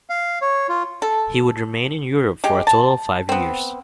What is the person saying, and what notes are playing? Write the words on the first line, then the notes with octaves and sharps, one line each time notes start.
He would remain in Europe for a total of five years.
F5
C#5
F4
A4
G#3 G4
A5
B3 C4